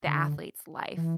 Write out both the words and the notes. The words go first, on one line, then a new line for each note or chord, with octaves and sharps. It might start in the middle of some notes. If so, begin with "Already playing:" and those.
the athlete's life.
D3
E3